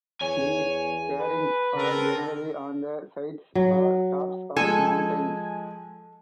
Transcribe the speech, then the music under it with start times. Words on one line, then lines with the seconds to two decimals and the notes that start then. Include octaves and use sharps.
These cairns are generally on the sides or tops of mountains.
0.21 E2 C#5 G#5
1.20 B4
1.75 C#3 C4 A4 A#4
3.55 F#3
4.56 F3 G#3 A4 G#5